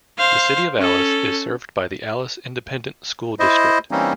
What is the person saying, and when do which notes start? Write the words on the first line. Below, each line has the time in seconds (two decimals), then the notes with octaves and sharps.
The City of Alice is served by the Alice Independent School District.
0.18 C5 F5
0.78 C#4 A4
3.39 E4 C5 D#5
3.91 E3 G3 A#3 C4 C#4 D#4